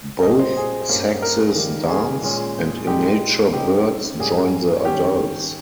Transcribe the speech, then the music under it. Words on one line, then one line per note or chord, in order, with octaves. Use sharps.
Both sexes dance, and immature birds join the adults.
A#2 G3 C#4 D#5
C5
G#4
G2 G3 A#3 C#4
A#4
D#3 G3 A#3
G#4
A#2 G#3 C#4
A#2 G#3 D#4 G4
C#3 G3 C4 D#4 G4
G#2 G3 A#3 C#4 G#4
D#3 G3 C#4 G4